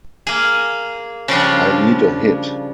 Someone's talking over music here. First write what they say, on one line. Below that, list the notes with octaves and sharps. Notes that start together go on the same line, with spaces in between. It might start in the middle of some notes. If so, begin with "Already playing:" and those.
I need a hit.
A#3 G#4
C#3 F3 G3 D4